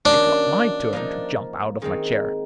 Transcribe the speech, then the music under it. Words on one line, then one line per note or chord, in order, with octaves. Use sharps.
It was my turn to jump out of my chair.
D#3 F#3 A#3 C#4 D4
F3 A#3 D#4
D#3 G#3 C4 D#4